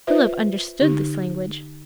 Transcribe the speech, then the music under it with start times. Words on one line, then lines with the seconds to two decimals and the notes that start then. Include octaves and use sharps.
Philip understood this language.
0.07 F4 B4 C5 E5
0.81 D3 D#4 G4